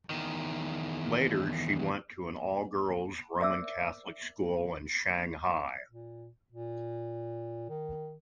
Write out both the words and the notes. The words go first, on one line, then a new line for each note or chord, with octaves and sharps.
Later she went to an all-girls Roman Catholic school in Shanghai.
E2 D#3
A#4 C5 D5 E5 D6 E6
A#2
A#2
D#3